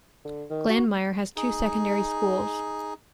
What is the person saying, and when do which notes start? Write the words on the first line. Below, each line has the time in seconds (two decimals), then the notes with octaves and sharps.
Glanmire has two secondary schools.
0.25 D3
0.51 D#3
0.69 F#4
1.37 D#4 G#4